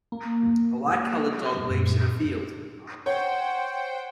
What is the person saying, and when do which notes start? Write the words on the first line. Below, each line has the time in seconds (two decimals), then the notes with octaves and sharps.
A light colored dog leaps in a field.
0.12 A#3
1.70 F#2 A#2
3.06 C5 C#5 F#5 G5